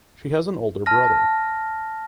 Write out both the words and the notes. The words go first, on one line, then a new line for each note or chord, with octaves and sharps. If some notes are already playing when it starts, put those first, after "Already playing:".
She has an older brother.
A5 F6 A#6